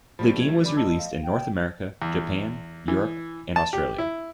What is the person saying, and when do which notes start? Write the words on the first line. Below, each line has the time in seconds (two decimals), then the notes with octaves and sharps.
The game was released in North America, Japan, Europe and Australia.
0.19 F3 G3 A3 B5
0.40 E4 G#6
0.64 C#4 D5 B5 D6
0.77 D#5 A5 E6
0.99 F5
1.23 G5
2.02 E2
2.88 E3
3.56 A5
3.73 G4
3.98 E4